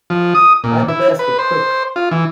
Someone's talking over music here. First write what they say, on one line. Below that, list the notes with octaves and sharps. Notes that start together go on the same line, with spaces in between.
Hide the basket, quick!
F3
D#6
A#2
E4
B4
C5
F4
E3